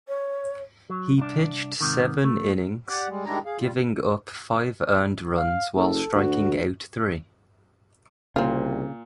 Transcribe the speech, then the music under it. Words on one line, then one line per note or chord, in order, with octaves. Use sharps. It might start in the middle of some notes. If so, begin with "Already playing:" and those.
He pitched seven innings, giving up five earned runs while striking out three.
C#5
F#3
C2 D4
G#2 C3 D#3
A3
G4 D5 F#5
G3 G#3
D#3 G3 G#3 D4 E4 A#5
G#4 F5
G3 F4
F5
F#1 A4
D2 F#4
C2 A#2 C#3 C4 F4